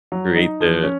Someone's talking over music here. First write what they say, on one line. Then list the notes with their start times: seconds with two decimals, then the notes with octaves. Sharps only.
create the
0.12 F#3
0.36 D#4
0.60 F3
0.83 C#4